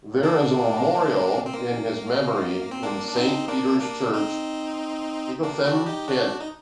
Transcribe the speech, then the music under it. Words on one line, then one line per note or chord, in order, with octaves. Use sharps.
There is a memorial in his memory in Saint Peter's Church, Ightham, Kent.
A#3 D4
C4
A#3
C4
A#3 D4
D4
C4 D#4
A#3 D4
A#3 D4
C4 D#4
A#3 D4
D4 F#4
D#4 G4
D4 F#4
D#4